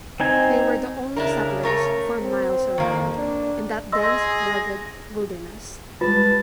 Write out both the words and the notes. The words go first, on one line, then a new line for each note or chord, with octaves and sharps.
They were the only settlers, for miles around, in that dense, rugged wilderness.
C4 D#4 G#5
C#3 D4 E4 A#4
A3 A#4 C#5
C4
F2 D#3 A#3
D4
G#4 D#5 C6 E6 A#6
G#4
G3 G#3 F4 B4 A5